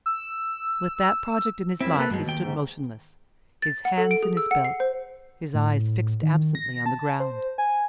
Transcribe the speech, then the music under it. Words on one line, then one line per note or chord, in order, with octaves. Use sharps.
With that project in his mind he stood motionless--his hands in his belt, his eyes fixed absently on the ground.
E6
F#2 C4 E4 E5
A#3 A4 B4
G2 B2 F#3 G#3
D#2 G5
G#2
A6
F#5
A4
D7
G#4
E6
F#5
C7
C5
A2
D#3
A#6
A5
C5
G#5